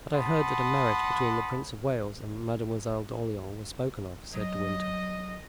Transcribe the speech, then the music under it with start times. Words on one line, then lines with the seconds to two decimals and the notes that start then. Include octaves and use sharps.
"But I heard that a marriage between the Prince of Wales and Mademoiselle d'Orleans was spoken of," said De Winter.
0.13 F#5 A5 B5 C6 D#6
4.33 F#3 D#5